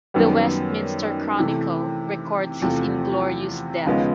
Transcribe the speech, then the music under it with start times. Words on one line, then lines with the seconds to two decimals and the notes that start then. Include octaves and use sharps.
The Westminster Chronicle records his inglorious death.
0.14 F#2 D#3 G3 B3
1.39 C3 E3 A3
2.62 E2 C3 F3 A3 C4
3.86 D#2 C#3 F3 G#3 B3